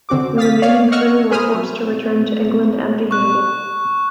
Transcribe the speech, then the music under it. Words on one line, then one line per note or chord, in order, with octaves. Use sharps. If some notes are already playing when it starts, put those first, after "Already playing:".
The remaining crew were forced to return to England empty-handed.
D3 C4 F#4 D6
F5 D#6 A6 B6
C#5 D5 F5
D#5 F#5 C#6 E6 F6
G#4 A#4 C5 B5 D#6 F6
F#3
C#6 F#6